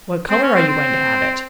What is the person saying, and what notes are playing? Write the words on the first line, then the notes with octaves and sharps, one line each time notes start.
"What color are you going to have it?"
C4
C#4
C4
C4